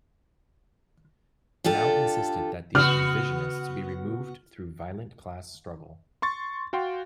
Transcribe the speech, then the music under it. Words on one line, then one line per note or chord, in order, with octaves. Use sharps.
Mao insisted that these "revisionists" be removed through violent class struggle.
D4 F4 G4 A4
C#3 B3 F#4 F6
C6 C#6 A6
F#4 F5 G5 C6